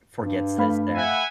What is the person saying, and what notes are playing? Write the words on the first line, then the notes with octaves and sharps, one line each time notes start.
Forgets that it's there.
G2
A3 F5 B5
E5 F#5 G#5